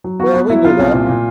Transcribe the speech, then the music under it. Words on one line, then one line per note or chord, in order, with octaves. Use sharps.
Well, we knew that.
F#3
B3 F#4
B3
F#3 E4
B3 F4
C2
A#2
A#2